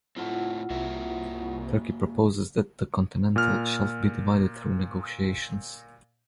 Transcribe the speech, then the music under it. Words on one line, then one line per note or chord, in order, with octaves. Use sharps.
Turkey proposes that the continental shelf be divided through negotiations.
A2 A3 C4 E4 F4 F#5
C2 A#3 F#4 E5
A#2 F6